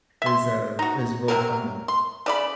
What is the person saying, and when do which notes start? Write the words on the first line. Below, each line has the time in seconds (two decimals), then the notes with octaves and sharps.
is, uh, is really fun though.
0.22 E5 C6
0.79 D#4 F#4
1.28 C3 F3 F#3 A#4
1.88 C6
2.26 C#3 D5 B5